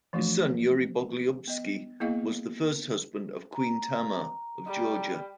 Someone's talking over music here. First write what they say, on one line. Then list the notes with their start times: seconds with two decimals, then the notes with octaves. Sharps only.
His son, Yuri Bogolyubsky, was the first husband of Queen Tamar of Georgia.
0.13 E3 F3 A3 D4 F#4
1.48 B3 D#5
2.00 A#3 B3 E4 G#4 D#5 F5
3.55 A#5
4.67 G3